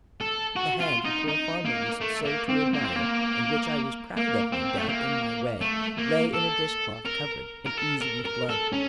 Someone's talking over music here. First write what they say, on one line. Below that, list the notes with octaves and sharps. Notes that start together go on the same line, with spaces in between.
The hand the poor farmer used so to admire, and which I was proud of no doubt, in my way, lay in a dishcloth covered and oozing with blood.
A4
F#4
F4
D#4
D#4
A#3
A3
A#3
C4
A#3
C4
A#3
A#3
C4
A3
A#3
A3
A#3
A4
A#4
A#4
A4
A#4
A#4
A4
C#4